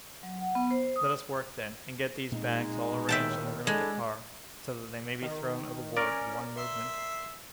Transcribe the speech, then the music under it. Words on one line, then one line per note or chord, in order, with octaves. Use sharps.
"Let us work, then, and get these bags all arranged on the rim of the car, so that they may be thrown overboard at one movement."
F#3
F#5
B3
C5
D#6
A#2 G#3 C4 D#4
D#2 A2 D#3 E5 G5 A5
G#3 D4 E4 A4
D#3
C#4 A#4 D5
E5 C6